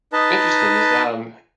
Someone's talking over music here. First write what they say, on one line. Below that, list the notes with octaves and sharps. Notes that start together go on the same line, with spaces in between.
Interesting, is, um,
D#4 B4 D#5 A5